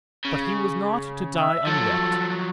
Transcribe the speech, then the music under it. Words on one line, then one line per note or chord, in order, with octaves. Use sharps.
But he was not to die unwept.
C#3
E5
F3 F#3 A4